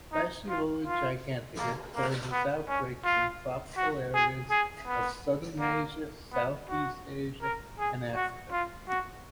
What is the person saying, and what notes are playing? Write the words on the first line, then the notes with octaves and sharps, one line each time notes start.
"Fasciola gigantica" causes outbreaks in tropical areas of southern Asia, Southeast Asia, and Africa.
D#4
F4
F4
A#3
A#3
B3
C#4
F4
F#4
G#4
G#4
B3
A#3
B3
F#4
A#4
G#4
F#4
F4
F#4